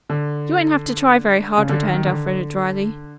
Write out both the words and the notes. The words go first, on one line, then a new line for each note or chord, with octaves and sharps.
"You won't have to try very hard," returned Elfreda dryly.
D3
C#3
D3
D#3
D#3
D3